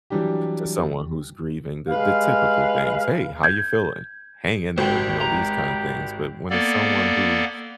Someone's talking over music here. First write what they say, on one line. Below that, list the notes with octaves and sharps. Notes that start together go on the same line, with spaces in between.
to someone who's grieving, the the typical things. "Hey, how ya feeling? Hang in there." You know, these kinda things. But when it's someone who,
E3 F#3 G3 D4 G4
G3 G#3 B4 F5
G6 G#6
G#1 F#4 G4 C5 G5
A#5
A#3 B3 A4 D5